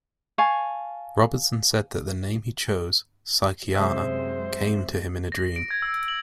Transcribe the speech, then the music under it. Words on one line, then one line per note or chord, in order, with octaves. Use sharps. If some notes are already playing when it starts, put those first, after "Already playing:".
Robinson said that the name he chose, "Psychiana," came to him in a dream.
F5 G#5 A5 C#6
F#2 C3 G#3 C5 E5
A#6
D7
G#6
E6
F#7